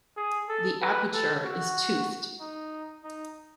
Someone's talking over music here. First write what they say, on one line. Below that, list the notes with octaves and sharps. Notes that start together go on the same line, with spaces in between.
The aperture is toothed.
G#4
A4
B4
A4
F#4
D#4
D#4